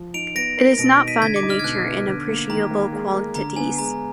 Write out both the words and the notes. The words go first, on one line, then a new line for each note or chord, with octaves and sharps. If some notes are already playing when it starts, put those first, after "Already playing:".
It is not found in nature in appreciable quantities.
Already playing: F3
D#4 D7 F7
B3 A#6 D7
A#4
B2 A#6 D7
D#4
B6 D#7
D3 G#6 B6
D6
D#4
F6
G#6
B2 F#6
B3
D3
A#3
D#3 A#5
A#3
G#3
A#4
D3 A#5
B3 G#5
G#3 A#5